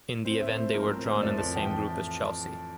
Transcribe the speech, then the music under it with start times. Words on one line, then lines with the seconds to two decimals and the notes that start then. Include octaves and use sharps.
In the event they were drawn in the same group as Chelsea.
0.25 C4 C5
0.40 A2 E5
0.57 A3 C5
0.74 F3 A#4
0.90 C4 A#4
1.06 A2 C5
1.22 F2 D5
1.38 F2 A5
1.55 E3 G5